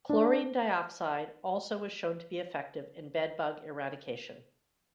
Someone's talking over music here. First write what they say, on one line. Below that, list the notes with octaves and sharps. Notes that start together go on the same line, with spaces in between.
Chlorine dioxide also was shown to be effective in bedbug eradication.
D4